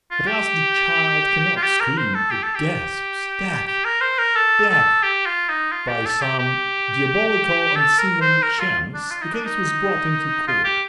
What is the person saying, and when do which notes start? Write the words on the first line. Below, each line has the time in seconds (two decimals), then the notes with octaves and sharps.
At last the child cannot scream, it gasps, 'Daddy! daddy!' By some diabolical unseemly chance the case was brought into court.
0.11 F4
0.27 G4
1.56 F4
1.63 G4
1.80 A#4
1.97 C5
2.15 A4
2.31 G4
2.43 A4
2.56 G4
3.67 G4
3.85 A#4
4.01 C5
4.18 A#4
4.35 A4
4.69 A4
5.03 G4
5.26 F4
5.49 D#4
5.72 F4
5.88 G4
6.06 A4
6.22 G4
6.39 G4
7.76 A4
7.98 A#4
8.21 C5
8.43 A#4
8.60 F4
8.94 D4
9.11 F4
9.22 D#4
9.33 D4
9.45 D#4
10.47 F4
10.64 G4